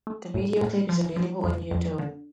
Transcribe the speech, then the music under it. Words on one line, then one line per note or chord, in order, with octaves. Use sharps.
The video clip is available on YouTube.
A3
A2
A2
F3
F3
F2
F2
D3